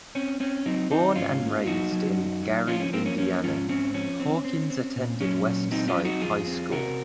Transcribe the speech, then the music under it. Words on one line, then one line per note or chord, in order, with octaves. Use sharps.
Born and raised in Gary, Indiana, Hawkins attended West Side High School.
C4 C#4
C4 C#4
F#3 C4 D#4
D#3 C4 D#4
G#2 C#4 F4
A#3
F#3 D#4 F#4
F#3
F#2
F#3
F3 C#4 F4
C#4
A#3 C4
C#4
F3 C#4
G#2 C#4 F4
C4 C#4
F3 C#4
C4
C4
C4
A#2
F#3 C#4
A#2
F#3 C4 D#4
C#4 F4
C4
D#4 F#4
F2 F4 G#4
C4
C3 F#4 A#4